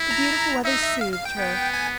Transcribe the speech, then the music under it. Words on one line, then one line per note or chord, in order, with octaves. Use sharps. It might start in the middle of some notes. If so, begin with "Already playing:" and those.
The beautiful weather soothed her.
Already playing: E4
A#5
D#4 E5
E5
F5
F5
G5
B3
G#5